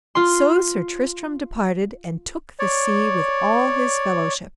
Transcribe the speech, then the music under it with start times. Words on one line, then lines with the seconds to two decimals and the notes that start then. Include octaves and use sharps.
So Sir Tristram departed and took the sea with all his fellowship.
0.15 F4 C6
2.59 C#5 D5